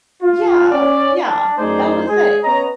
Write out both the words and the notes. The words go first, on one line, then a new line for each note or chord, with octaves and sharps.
Yeah, yeah, that was it.
F4
C#4 D5
D4
F#2 A3 D#4 G#4 C5 D5
G#3 G#4
B3 C#4 C#5 D#5 A#5